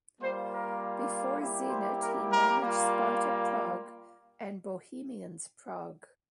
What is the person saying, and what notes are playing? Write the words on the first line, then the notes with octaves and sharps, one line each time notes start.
Before Zenit he managed Sparta Prague and Bohemians Prague.
G3 A#3 F4 C5
A#4
G3 A#3 E4 G4
C5
A#4
A#4
G3 A#3 F4